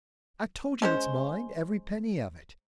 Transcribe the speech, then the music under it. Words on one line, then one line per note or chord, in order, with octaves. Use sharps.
"I've told you it's mine, every penny of it!"
G#3 C#4 C5